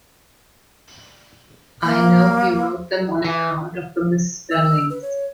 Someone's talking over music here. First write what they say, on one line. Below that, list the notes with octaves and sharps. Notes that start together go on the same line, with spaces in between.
I know he wrote them on account of the misspellings.
A#3
E3
E6
B4
C#5